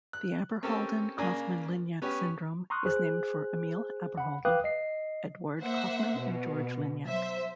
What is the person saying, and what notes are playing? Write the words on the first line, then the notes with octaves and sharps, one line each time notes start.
The Abderhalden-Kaufmann-Lignac syndrome is named for Emil Abderhalden, Eduard Kaufmann and George Lignac.
F#6
C4 C#4 G4 A4 A#4 A5
C#3 A#3 D4 A#4 G#5
B3 C#4 G4 C#5
A#5 C6 C#6 D#6 F6 F#6
G#4 C5 F#6
F#5 B5
B4 F5 G5 D6 D#6 F#6
D#5 C7
A#3 C5 E5 F#5
B2
F#3 C5 E5